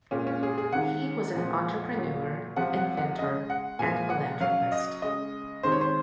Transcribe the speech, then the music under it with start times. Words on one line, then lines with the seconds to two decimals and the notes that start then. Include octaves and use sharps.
He was an entrepreneur, inventor, and philanthropist.
0.11 A#2 G#3 C#4
0.27 C#4
0.43 G#4
0.58 G#4
0.72 C3 D#3 G#3 F#5
1.34 A#2 F3 G#3
1.95 A#2 F#3
2.56 C3 F3 G#3 F#5
2.77 F#5
2.97 F#5
3.18 C#3 G#3 D#5
3.50 F#5
3.79 A#2 F3 G#3 G#5
4.10 F#5
4.41 C#3 F#3 F5
4.72 D#5
5.02 C#3 G#3 D#5
5.63 C3 D#3 G#3 C5
5.72 C#5
5.81 C5